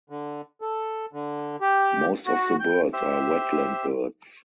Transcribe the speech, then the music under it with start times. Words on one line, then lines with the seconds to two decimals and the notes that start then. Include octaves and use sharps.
Most of the birds are wetland birds.
0.10 D3
0.61 A4
1.13 D3
1.61 G4
2.27 F#4
2.60 G5
2.93 G4 C5 E5